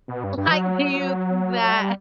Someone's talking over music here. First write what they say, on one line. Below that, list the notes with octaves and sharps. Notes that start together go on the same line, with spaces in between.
Like, do you think that
B2
G2
G2
E3
F#3
G3